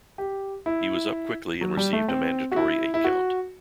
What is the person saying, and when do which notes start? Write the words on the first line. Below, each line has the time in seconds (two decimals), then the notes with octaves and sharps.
He was up quickly and received a mandatory eight-count.
0.18 G4
0.66 E4
1.61 F#3
1.77 G3
1.93 A3
2.08 C4
2.52 F#4
2.56 E4
2.94 E4
3.04 F#4